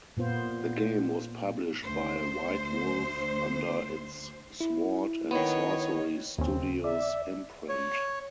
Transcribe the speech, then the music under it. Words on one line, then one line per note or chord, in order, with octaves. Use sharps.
The game was published by White Wolf under its Sword and Sorcery Studios imprint.
A#2 B3 F4 C5
D2 C5
E4
D#3 B3 C#5 D#5
D#2 C#3 C4
D5 E5
C#5